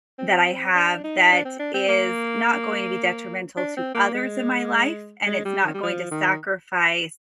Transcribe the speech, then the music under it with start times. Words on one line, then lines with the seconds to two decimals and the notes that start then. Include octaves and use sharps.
that I have that is not going to be detrimental to others in my life, and it's not going to sacrifice
0.19 C4
0.75 D4
1.04 D#4
1.32 D4
1.45 C4
1.59 D4
1.74 C4
1.89 A#3
3.57 D4
3.77 C4
3.95 A#3
4.14 G#3
5.27 G#3
5.45 G3
5.65 D#3
5.74 G3
5.83 F3
6.11 D#3